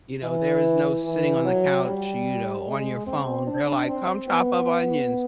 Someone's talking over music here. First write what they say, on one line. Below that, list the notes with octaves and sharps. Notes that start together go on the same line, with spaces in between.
You know there is no sitting on the couch you know on your phone. They're like, "Come chop up onions,
E3
E3
F#3
G3
G#3
C4
D4
C4
B3